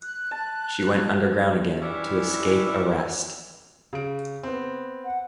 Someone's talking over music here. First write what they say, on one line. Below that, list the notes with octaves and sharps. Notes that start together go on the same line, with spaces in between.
She went underground again to escape arrest.
F#6
A5
E3 G3 C#4 D4 E4
C#3 D7
B3 C4
F#5